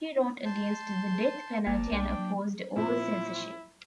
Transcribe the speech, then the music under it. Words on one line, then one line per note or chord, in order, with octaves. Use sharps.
He wrote against the death penalty and opposed all censorship.
A5 C6 G6
G1 A#3 D5 A5 A#5
B1 D4 D5 G5
F#3
A#2 F3 C4 E4